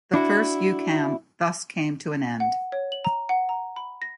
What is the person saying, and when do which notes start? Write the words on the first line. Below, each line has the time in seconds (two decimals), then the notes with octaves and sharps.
The first yukam thus came to an end.
0.14 D4 E4 F#4
2.40 F#5
2.72 C#5
2.92 F#7
3.05 A#5
3.29 F#5
3.49 A#5
3.76 B5
4.02 A#6